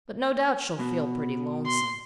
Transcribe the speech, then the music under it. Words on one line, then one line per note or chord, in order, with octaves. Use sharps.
But no doubt she'll feel pretty lonesome.
B2
C6